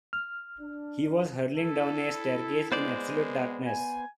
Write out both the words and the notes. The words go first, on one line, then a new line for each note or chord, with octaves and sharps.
He was hurling down a staircase in absolute darkness.
F6
D4
E4 A4
G#3 B3 C5 D5
G#5